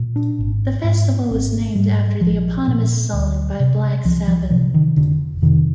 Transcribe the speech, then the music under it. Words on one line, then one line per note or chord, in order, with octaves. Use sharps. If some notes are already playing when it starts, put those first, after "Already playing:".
The festival was named after the eponymous song by Black Sabbath.
Already playing: A#2
D4
G#1
G#2
G#1 C4
G#2 G3
A#1 F3
A#2
D2
C3
C2 F3
F3
C3 F3
D#3
F1 D3
F2 C3 D#3